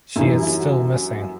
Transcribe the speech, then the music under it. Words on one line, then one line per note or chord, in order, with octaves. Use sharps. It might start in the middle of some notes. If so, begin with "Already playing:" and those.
She is still missing.
F#2 E3 G3 E4
E4
F#4